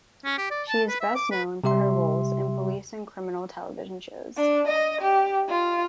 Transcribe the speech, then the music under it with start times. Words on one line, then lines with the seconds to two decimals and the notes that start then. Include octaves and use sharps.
She is best known for her roles in police and criminal television shows.
0.24 C#4
0.38 G4
0.50 D5
0.68 A5
0.88 B4
1.01 E5
1.15 D6
1.31 B4
1.64 C3 G3 G4 E5 C6
4.37 D4
4.68 D#5
5.02 G4
5.49 F4